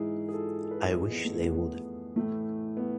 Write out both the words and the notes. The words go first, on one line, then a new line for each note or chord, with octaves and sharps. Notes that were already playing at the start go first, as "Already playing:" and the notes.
I wish they would.
Already playing: G#2 E3 E4 G#4
G#4
F4 A4
A4
B4
F4 A4
F2 E3 E4 G#4
B3
A3
B3
B3
A2 E3 A3
B3